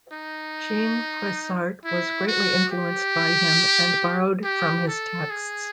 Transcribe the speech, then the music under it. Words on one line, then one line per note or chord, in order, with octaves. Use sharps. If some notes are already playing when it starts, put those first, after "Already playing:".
Jean Froissart was greatly influenced by him and borrowed from his texts.
D#4
E4
F#4
G4
G4
A4
G#4